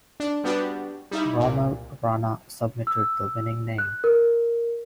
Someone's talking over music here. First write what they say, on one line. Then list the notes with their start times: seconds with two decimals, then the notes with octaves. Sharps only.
Rommel Rana submitted the winning name.
0.20 D4
0.44 G3 B3 D4 F#4 G4
1.11 G3 D#4 E4
1.40 C2 A#2
2.87 E6
3.78 F#6
4.04 A#4